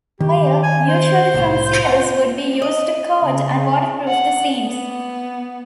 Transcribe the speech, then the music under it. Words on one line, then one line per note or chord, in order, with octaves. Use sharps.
Oil, usually from seals, would be used to coat and waterproof the seams.
D#3 G4
G#5
C5
C2 A2
F4 C#5 F#5
D#5
C#3
F#5
B3